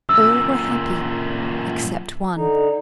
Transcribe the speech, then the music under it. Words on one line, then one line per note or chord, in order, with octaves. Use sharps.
All were happy except one.
F#2 A#2 E6
D3 D#4